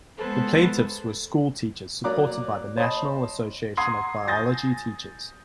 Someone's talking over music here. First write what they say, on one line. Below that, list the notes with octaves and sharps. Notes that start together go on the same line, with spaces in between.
The plaintiffs were school teachers supported by the National Association of Biology Teachers.
G#3 B3 G#4 A4 B4 C5
F#3 A#3 D5 A#5 D6 F#6
C5 D#5 A5 B5
F#5 A#5 C6 D#6 G#6 C7
G#5 D#6 G6 A6 A#6